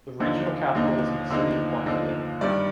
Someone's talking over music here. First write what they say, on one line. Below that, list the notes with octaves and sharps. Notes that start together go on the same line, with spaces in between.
The regional capital was in the city of Poitiers.
D#2 D3 F3 A#3 D#4
D#2 D3 F3 A#3 D#4
D#2 D3 F3 A#3 D#4
D#2 D3 F3 A#3 D#4
G2 D#3 G3 D5